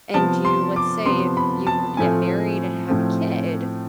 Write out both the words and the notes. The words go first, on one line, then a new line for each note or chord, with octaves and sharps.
and you let's say, if you were to get married and have a kid,
C3 F3 B3 A5
C6
D6
C3 F3 B3 C6
B5
A5
A2 F3 A3 C4 G#5
A2 F3 A3 C4